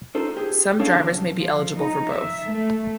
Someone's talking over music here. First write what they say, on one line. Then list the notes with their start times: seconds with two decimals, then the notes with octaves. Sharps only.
Some drivers may be eligible for both.
0.15 D#4 F4 A4 C5
0.37 G4 G#4
0.80 D4 A4 C#5 D5 F5 A5
0.94 B2 D#3
1.36 F3
1.78 D#4
2.11 E5
2.45 A3